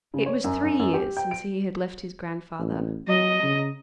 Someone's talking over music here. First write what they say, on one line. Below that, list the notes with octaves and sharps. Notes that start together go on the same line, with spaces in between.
It was three years since he had left his grandfather.
C#3
C#5
F#2
F#2
F#2
G4
G5
D7
A1
F#3 D#5 A#5
C#3